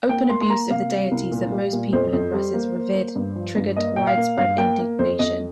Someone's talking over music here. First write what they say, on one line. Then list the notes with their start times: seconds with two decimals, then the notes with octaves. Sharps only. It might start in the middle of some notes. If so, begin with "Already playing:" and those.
Open abuse of the deities that most people in Rus' revered triggered widespread indignation.
0.09 A#3 G5
0.30 A#3 C6
0.41 C6
0.50 A#3 A#5
0.70 C3 F5
0.91 G3
1.11 C2
1.32 A#2
1.52 G3
1.73 A#2
1.93 F2 C5
2.13 F2
2.34 G3
2.54 A#3
2.75 A#3
2.95 A#3
3.16 G2
3.36 F3
3.56 G2
3.77 A#3 D#5
3.96 A#2 G5
4.07 F5
4.17 A#3
4.38 G2 F5
4.58 A#3 G5
4.79 A#3
4.99 F2 C5
5.19 F2 D#5